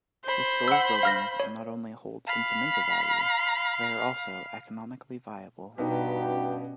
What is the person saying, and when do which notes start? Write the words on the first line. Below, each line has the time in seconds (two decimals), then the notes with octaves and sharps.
Historic buildings not only hold sentimental value, they are also economically viable.
0.25 C5 B5
0.68 F#5 E6
1.03 F5 F6 A#6
1.40 C#5
2.27 F5 B5
5.78 G2 B2 B3 D#4 F#4 G4
6.29 C#4